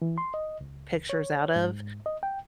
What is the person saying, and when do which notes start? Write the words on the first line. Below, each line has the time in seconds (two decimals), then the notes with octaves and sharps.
pictures out of.
0.02 E3
0.18 C6
0.34 D#5
0.61 C#2
1.09 C#5
1.56 G#2
2.06 D#5
2.23 G5